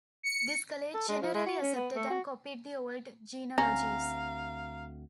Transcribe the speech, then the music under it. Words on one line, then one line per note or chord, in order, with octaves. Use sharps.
This college generally accepted and copied the old genealogies.
C#7
A4
G#3
F3
G#3
F#4
C#4
B3
A3
F#4
D2 C4 C#4 F5 A#5